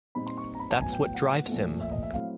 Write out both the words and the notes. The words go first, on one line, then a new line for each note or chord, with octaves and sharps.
That's what drives him.
A#2 G3 C4 D#4 B5
C6
C#6
A#5
B5
A5
A2 F#3 B3 G#5
G5
G5
F#5
A#2 F3 A3
E5
D#5
E5
F#3 A3 C4 E4 F5